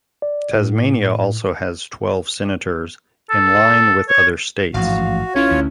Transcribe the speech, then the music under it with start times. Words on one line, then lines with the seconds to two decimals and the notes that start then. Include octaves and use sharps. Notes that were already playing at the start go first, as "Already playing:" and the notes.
Tasmania also has twelve Senators in line with other states.
0.22 D5
0.55 A2
3.30 A4
4.09 C#5
4.74 A1 G#2 F3 F#4 F5
5.35 A1 C#4 E4 F4 C#5
5.51 D2